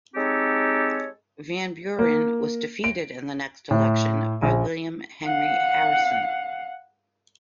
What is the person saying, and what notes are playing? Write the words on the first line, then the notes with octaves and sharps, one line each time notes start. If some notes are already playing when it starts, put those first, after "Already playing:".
Van Buren was defeated in the next election by William Henry Harrison.
G#3 C4 D#4 G4 A4 C#5
A#3
D7
A2
A#1
F5 F#5